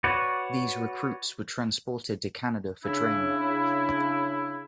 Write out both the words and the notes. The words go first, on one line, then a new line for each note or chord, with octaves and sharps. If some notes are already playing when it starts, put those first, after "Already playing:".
These recruits were transported to Canada for training.
F#4 B4 C#5 D5
C#3 D4 E4